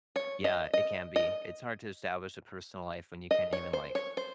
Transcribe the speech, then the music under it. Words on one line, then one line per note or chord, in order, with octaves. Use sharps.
Yeah, it can be. It's hard to establish a personal life when you can't even, like,
C#5
D#5
D#5
D#5
D#5
C#5
C5
C#5
C5